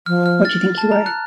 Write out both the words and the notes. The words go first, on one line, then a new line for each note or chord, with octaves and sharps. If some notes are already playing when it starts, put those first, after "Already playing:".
What do you think you weigh?
F3 F6
F6
F6 A6
A5
A#5
F#6